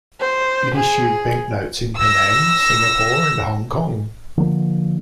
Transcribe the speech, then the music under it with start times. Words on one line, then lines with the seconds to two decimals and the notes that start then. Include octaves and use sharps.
It issued banknotes in Penang, Singapore and Hong Kong.
0.20 C5
0.75 G#4
1.98 E6 A#6
4.37 D3 F3 A#3